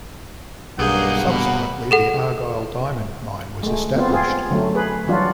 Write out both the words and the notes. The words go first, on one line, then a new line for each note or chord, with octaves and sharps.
Subsequently the Argyle diamond mine was established.
B1 G2 A#3 G#4 F#5 G6
B2 B5
G#4 A4 F#5
G#3 A3
B3 C4 F4
C4 F4 G#4
D3 F#3 A3
G#4 B4
E3 F#3 G3 D4 F4 F#4